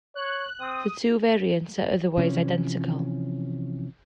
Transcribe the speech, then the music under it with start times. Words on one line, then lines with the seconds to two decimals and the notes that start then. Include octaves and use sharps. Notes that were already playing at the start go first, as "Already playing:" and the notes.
The two variants are otherwise identical.
0.15 C#5 F#6
0.60 C4 D#6
2.18 C3 E3 F3 C#4